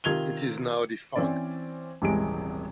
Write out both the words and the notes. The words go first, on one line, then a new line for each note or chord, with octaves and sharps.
It is now defunct.
C3 D#3 F4 G#6 F7 G7
E3 C4 C#4 D5
D#1 G#1 C3 E3 G#3 D7